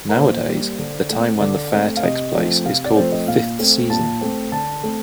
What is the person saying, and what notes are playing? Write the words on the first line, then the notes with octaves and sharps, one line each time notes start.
Nowadays the time when the fair takes place is called the "fifth season".
A#4
A#2 C5
G3 A#3
D3
A3 C4
D3 D5
A3 C4
F5
C3 D#5
F3 A3 C4
C3 F5
D5
F3 A3 C4 C5
D#5
A#2 F5
A3 C4
A#2 A5
A3 C4
D3 A5
A3 C4